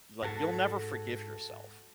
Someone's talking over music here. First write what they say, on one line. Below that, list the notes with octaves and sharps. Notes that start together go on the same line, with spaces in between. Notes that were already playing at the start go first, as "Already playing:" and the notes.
like, "You'll never forgive yourself,"
G#2 F#4 A4 A5